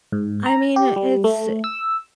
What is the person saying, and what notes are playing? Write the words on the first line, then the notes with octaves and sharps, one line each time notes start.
I mean, it's
G#2
A#5
G4
G3
A3
E6